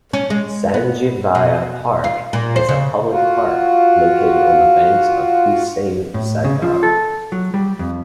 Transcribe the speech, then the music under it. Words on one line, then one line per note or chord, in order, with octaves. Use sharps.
Sanjeevaiah Park is a public park located on the banks of Hussain Sagar.
C#4
G#3
B3
B2
F4
A#2
C5
C#3
F4 F#4
A2
C#3
F3
A4
F#3
G3
F2